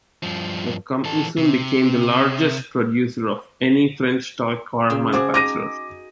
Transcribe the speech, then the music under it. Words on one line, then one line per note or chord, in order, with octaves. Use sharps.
The company soon became the largest producer of any French toy car manufacturer.
G2 F3
E3 A4
C3
C#3
F#4 G#4 C5 A5 D6
D#4 G#5 A#5 D6 A#6 D#7